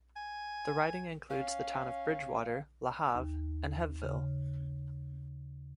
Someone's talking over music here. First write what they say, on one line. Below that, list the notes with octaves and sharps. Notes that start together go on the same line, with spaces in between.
The riding includes the town of Bridgewater, LaHave, and Hebbville.
G#5
C#4 F5
D#2
C#3